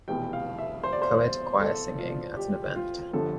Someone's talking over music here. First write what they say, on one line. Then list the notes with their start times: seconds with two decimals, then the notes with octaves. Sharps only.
Coed choir singing at an event.
0.08 F1 E2 B2 G5
0.33 F5
0.58 E5
0.84 C5
0.93 D5
1.02 C5
1.60 A4
1.99 F4
2.36 G4
2.76 F4
3.13 G1 F2 D3 F3 A4